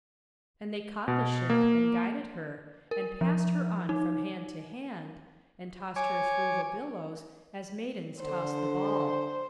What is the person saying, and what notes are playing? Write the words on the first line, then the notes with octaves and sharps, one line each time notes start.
And they caught the ship, and guided her, and passed her on from hand to hand, and tossed her through the billows, as maidens toss the ball.
B2
A#3
A#4
F3
D#4
C#5 G#5 D6
D3 C5